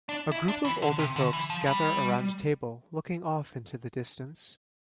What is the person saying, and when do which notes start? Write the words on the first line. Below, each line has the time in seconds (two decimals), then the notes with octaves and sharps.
A group of older folks gather around a table looking off into the distance.
0.09 D4
0.32 E4
0.48 D4
0.65 E3
0.82 D3
0.99 C3
1.16 D3
1.33 E3
1.50 F3
1.66 G3